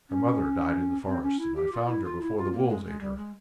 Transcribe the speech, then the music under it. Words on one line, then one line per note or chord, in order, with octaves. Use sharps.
Her mother died in the forest and I found her before the wolves ate her.
C#4
C4
C#4
E4
G4
F4
E4
F4
E4
F4
A#3
G#3
G#3
G3
G#3